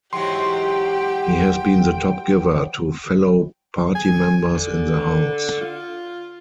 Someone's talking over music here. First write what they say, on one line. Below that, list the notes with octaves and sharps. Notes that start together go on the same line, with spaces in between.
He has been the top giver to fellow party members in the House.
G#2 E3 F#3 G4 G5 C6
G#5
D3
F4